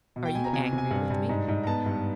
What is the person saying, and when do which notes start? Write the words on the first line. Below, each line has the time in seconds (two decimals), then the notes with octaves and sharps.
Are you angry with me?'
0.16 B2
0.25 G5
0.35 B2 G#5
0.44 A#5
0.53 C3 G#5
0.66 G#5
0.73 C3
0.78 G#5
0.91 G2
1.10 G2
1.29 G#2
1.48 G#2
1.63 A#5
1.67 B3 A5
1.86 G2